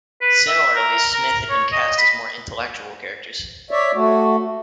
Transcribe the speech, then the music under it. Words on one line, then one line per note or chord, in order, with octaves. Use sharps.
Similarly, Smith had been cast as more intellectual characters.
B4
E5
A#4
A#4
C#5
D#5
B5
C#5 D5 E5
A3 F#4